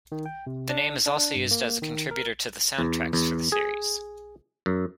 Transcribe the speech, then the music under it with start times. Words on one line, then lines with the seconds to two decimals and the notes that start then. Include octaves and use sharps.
The name is also used as a contributor to the soundtracks for the series.
0.12 D#3
0.26 G5
0.47 C3
0.69 D4
1.06 D4
1.35 G2
1.51 A#3
1.82 D#3
2.11 A#4
2.78 E2
3.13 E2
3.52 G#4
4.66 F#2